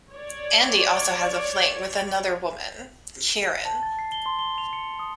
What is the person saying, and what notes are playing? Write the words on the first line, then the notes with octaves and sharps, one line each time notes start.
Andy also has a fling with another woman, Keiran.
C#5 D5
A5
A6
C7
G7
C6
G7
F7
C#7
D#6